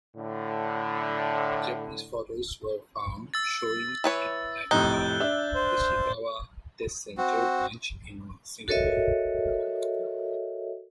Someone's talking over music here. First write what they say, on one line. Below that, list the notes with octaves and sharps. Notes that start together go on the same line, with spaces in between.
Japanese photos were found showing it at the Tachikawa test center branch in Singapore.
A2 D3
E6 A6
E3 B4 C#5
F2 A2 C3 D#4 F#6 G6 G7
D4 E5
C5
C4 F#4
F#4 A4 A#4 C#5 D#5 E5